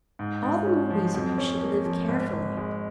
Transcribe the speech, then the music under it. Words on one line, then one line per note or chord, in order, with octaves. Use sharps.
'All the more reason you should live carefully.
G#2
G#2
C#4
F3
F2
C#4
A#3
F3
G#1
G#1
G#3